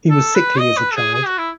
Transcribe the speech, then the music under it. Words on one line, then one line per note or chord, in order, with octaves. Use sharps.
He was sickly as a child.
A4
B4
D#5
B4
A4
G#4
G#4
F#4
E4